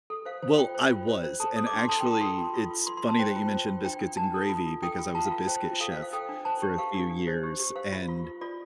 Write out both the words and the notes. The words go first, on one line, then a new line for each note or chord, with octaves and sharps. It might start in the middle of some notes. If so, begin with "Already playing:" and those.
Well, I was. And actually, it's funny that you mentioned "biscuits and gravy" because I was a biscuit chef for a few years, and
A4
C5 F5
C5
F4 G5
C5
F4
C5
C5
A4 A5
A4
D6
D4
C6
A4 A5
G5
F4
A5
A4 C6
F4
F4
F4
F4 C6
C6
F4
A5
C5 G5
F4
C5
F4
D4 G5
D4
D4 A5
A4
F4
F4
A4 G5
F4
F4 A5
F5
F4
C5 G5
F4
A4 F5
F5
C5
F5
A4 G5
D4
C5 A5
G4
G4 F5
D4
D4
C5
G4
G4
C5 F5
F4
F4
F4
F4 D5